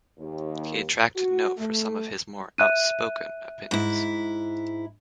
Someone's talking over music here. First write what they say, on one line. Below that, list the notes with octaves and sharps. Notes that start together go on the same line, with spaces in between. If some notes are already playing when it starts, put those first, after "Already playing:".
He attracted note for some of his more outspoken opinions.
D#2
F#4
A3
E5 F#6 D#7
G#2 E4